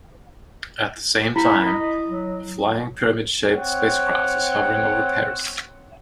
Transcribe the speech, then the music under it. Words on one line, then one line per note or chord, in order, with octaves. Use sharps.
At the same time, a flying pyramid-shaped space craft is hovering over Paris.
E4 B5
D#5
F#3
C4 C#5 F#5 G5